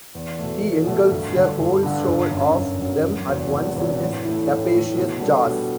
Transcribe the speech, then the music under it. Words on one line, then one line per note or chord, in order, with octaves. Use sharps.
He engulfs a whole shoal of them at once in his capacious jaws.
E2
B2 A3
E2
B2 A3
G1
G2 D3
G1
G2 D3
G1
F#2 F#3
G1
F#2 F#3
E1
E2 C3 F#3
E1
E2 C3 F#3
A2
E3 A3
A2
E3 A3
B2
G3 B3 D4 A4
B2